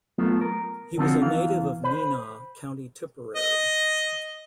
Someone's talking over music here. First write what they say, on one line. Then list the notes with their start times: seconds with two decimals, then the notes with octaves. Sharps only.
He was a native of Nenagh, County Tipperary.
0.18 F#3 A3 B3 F4 A4
0.41 A#4
0.98 D3 F3 C4 F4 F#4
1.21 E2 E3 F5
1.84 C5 B5
3.36 D#5